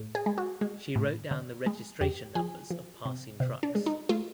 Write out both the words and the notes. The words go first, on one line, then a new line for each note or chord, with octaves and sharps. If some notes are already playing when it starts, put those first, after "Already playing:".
She wrote down the registration numbers of passing trucks.
Already playing: A2
G#4
G#3
F#4
G#3
A2
D3
G#3
F2 G4
F3 G#4
F3
C3
C3
D4
G#3
D#4
A3 F4